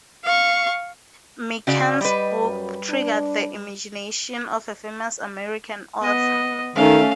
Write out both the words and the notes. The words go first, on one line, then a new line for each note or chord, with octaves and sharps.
Mencken's book triggered the imagination of a famous American author.
F5 C#6
C#3 F#4 D5
G3 B4 D#5
F#2
D4
B3 D#5
D#3 A3 C#4 A4 F5